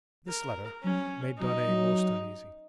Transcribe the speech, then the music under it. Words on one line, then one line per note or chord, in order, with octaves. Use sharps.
This letter made Darnay most uneasy.
A#4
F#3 C#4
F#3 D#4
F#3